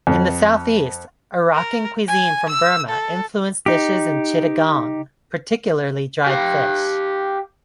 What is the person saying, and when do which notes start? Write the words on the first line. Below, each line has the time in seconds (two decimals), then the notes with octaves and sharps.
In the southeast, Arakan cuisine from Burma influenced dishes in Chittagong, particularly dried fish.
0.07 F2
1.55 A#4
2.08 G#5
2.50 E6
2.89 A4
3.66 D#4 G4
6.27 G4 F5